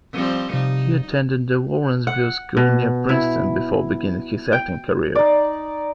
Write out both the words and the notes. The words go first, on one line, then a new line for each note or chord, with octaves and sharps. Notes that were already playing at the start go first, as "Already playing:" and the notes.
He attended The Lawrenceville School near Princeton before beginning his acting career.
F3 G3 C4
C3 D#4
F#5
B2
E4
G5
D#4 D5